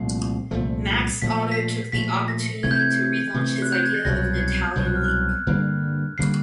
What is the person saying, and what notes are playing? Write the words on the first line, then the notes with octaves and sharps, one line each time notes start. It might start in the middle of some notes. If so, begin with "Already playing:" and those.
Max Otto took the opportunity to relaunch his idea of an Italian league.
Already playing: C2 A#2 F3 A3 C7
C2 A#2 F3 A3
A#2 F3 A3 B6
B6
C7
A#2 F3 A3 B6
A#6
C3 E3 A3 G#6
G6
G#6
C3 E3 A3
F#6
G6
G#6
A6
C2 B2 F#3 A#6
G#6
G#6
G6
C2 B2 F#3 G6
F#6
F6
F#6
G2 D3 G3 A#3
D3 G3 A#3 C7